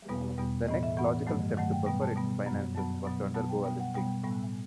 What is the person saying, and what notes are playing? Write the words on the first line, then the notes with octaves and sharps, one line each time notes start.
The next logical step to buffer its finances was to undergo a listing.
E2 B2 G3 B3 B4
E2 B2 G3 B3
A2 E3 B3 D#5
E5
A2 E3 B3 F#5
G2 D#3 F#3 A3
G2 D#3 F#3 A3 F#5
G5
B2 G3 B3 G5
A5
B2 G3 B3
F#2 F#3 B3
F#2 F#3 B3 A5
B2 F#3 B3
B2 F#3 B3 A5
G5
B2 G3 B3 G5
F#5
B2 G3 B3 G5
A2 G3 B3